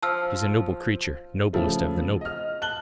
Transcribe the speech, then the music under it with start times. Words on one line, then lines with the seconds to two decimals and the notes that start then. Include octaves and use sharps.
She's a noble creature, noblest of the noble.
0.03 F3 A5 E6 F6
1.53 C#3 F3 A3
2.21 D#5 F6
2.62 A5 F#6 F#7 G7